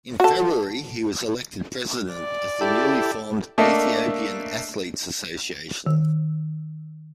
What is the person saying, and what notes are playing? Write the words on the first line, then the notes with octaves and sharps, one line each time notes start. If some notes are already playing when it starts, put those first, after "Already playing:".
In February, he was elected president of the newly formed Ethiopian Athletes' Association.
F#4 A4
D5
E4 G4 A4
A3 A#3 D4 A4 D#5 E5
D#3